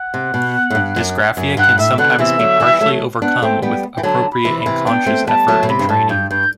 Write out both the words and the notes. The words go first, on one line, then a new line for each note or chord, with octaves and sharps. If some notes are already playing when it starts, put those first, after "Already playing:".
Dysgraphia can sometimes be partially overcome with appropriate and conscious effort and training.
Already playing: F#5
C3
B2
A2
G2
F#2
F#2
G2 F#5
A2 E5
B2 D3 F#5
C3 E3 E5
D3 F#3
E3 G3
F#3 A3
B3 D4 F#5
A3 C4 G5
G3 B3 G5
E3 G5
D3 F#3 A5
B5
C3 E3
B5
C3 E3
B3 D4 G5
A3 C4
G3 B3 A5
F#3 A3
B2
C3 B5
G2
A2 A5
G2 G6
G2 G6